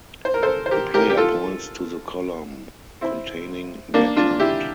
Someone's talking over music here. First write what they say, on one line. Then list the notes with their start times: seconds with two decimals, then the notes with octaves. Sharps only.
The player points to the column containing their card.
0.25 C5
0.34 A#4
0.42 A4 C5
0.66 C5
0.71 G4 A#4
0.94 G4 A#4
1.10 G4
1.17 F4 A4
3.01 C4 E4
3.94 A#3 D4
4.16 D4 F4
4.40 E4 G4